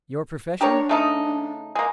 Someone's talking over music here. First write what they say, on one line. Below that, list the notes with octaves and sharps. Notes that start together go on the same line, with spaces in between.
"Your profession?"
D4 G4 A#4 C#5
C#3 A3 D#4
G#3 A#3